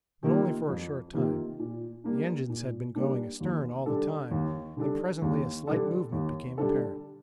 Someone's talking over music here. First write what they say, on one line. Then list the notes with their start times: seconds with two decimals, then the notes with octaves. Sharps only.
But only for a short time; the engines had been going astern all the time and presently a slight movement became apparent.
0.23 C3 D#3 A#3 F4
0.68 F2
1.13 C3 D#3 A#3 F4
1.59 A#2
2.04 G3 A#3 D4
2.49 A#2
2.95 G3 A#3 D4
3.41 D#2
3.86 D3 G3 D4 A4
4.31 D#2
4.77 D3 G3 D4 A4
5.22 D#2
5.67 D3 G3 D4 A4
6.12 D#2
6.58 D3 G3 D4 A4